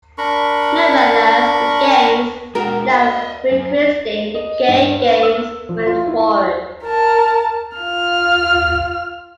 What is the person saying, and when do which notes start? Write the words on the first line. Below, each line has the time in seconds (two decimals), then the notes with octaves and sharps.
Nevertheless, the games, now re-christened the "Gay Games," went forward.
0.18 D4 A#4 B5 C#6
2.55 G#3 D4 F#4 A#4
2.88 D#5 E5
3.51 F#2
4.35 D#5
4.68 G2
5.02 B4
5.23 E6
5.69 F3
5.87 F4
6.07 E4
6.84 A#4 A5
7.77 F4 F6